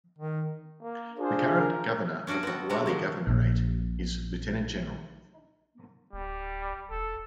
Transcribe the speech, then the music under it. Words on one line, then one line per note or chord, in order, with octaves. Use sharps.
The current governor of the Hawalli governorate is Lt.Gen.
D#3
A#3
D4 F4 G#4 C5
A#4
C#4 D4 F#4 D5 D#5
B3 C4 F#4
C3 F#3 G#3 A3 D4 F#4
A#2 D#3 F3
A#1 A#2
D1 G3
E1 A4